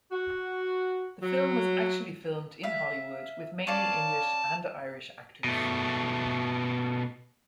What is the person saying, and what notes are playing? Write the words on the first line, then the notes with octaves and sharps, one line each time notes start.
The film was actually filmed in Hollywood with mainly English and Irish actors.
F#4
F#3
E5 F5
C#4 D5 F5 A5
B2 A3